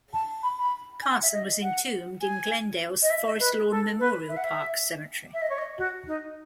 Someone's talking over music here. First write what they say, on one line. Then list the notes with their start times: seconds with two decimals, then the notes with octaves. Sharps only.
Carson was entombed in Glendale's Forest Lawn Memorial Park Cemetery.
0.13 A5
0.43 B5
0.58 B5
1.02 G#5
1.12 F#5
1.23 E5
1.32 D#5
1.62 F#5
2.21 G#5
3.02 D#5
3.10 E5
3.25 D#5
3.40 B4
3.70 A4
3.99 B4
4.29 E5
4.37 F#5
4.44 E5
5.34 E5
5.42 D#5
5.50 C#5
5.58 D#5
5.78 F#4
6.07 D#4